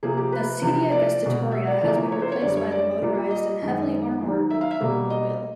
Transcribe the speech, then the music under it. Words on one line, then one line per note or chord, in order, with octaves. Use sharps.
The "sedia gestatoria" has been replaced by the motorized and heavily armoured "Popemobile".
C3 F3 A#3 G#4
G4
B4
E2 C3 F3
D5
B2 G#3
E5
D5
E2 C#3 F3 A#3 D5
C#5
C#5
C5
C#5
F#2 D3 G3 D5
C#5
D5
A#2 G3 A#3
D#5
F#2 D#3 G#3
G#2 D#3 F#3
E5
F5
E5
B2 G3 A#3
D#5